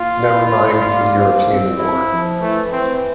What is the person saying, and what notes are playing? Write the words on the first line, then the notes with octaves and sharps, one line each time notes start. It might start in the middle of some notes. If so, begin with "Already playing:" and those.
Never mind the European war!
Already playing: A#3 F4
E4
G3
A#3
F3
C4
F3 E4
F3
E3 A3
E3 C4